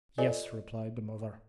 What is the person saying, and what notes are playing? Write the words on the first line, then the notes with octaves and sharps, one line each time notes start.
"Yes," replied the mother.
F4 A4 C5 D5 D#5 G#5